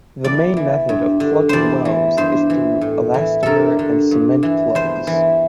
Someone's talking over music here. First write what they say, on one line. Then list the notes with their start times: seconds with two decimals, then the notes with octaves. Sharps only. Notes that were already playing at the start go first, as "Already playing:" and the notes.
The main method of plugging wells is through elastomer and cement plugs.
0.24 E2 D5
0.57 E3
0.89 G2
1.20 D3
1.49 E2 C5 D5
1.85 E3
2.17 G2 C5
2.50 E3
2.81 A2
3.14 E3
3.43 G2 A4 A#4
3.79 D3
4.11 G2
4.43 E3
4.75 E2 C5
5.07 E3